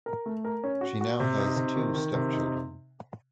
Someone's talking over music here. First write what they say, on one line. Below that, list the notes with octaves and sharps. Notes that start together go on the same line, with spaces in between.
She now has two step children.
A#4
A3
A#4
C#4
F#4
F#4
C3
D#4
C3
D#3
D#3
C3
D#4